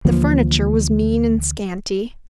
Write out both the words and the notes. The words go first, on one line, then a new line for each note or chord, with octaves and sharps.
The furniture was mean and scanty.
D2 E3 F3 A#3